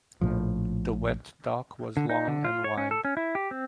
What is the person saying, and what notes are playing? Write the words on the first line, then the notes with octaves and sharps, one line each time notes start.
The wet dock was long and wide.
A#1 A2 F3
D3
D#4
D3
F4
C#5
C#4
A4
C#4
E4
G4
C4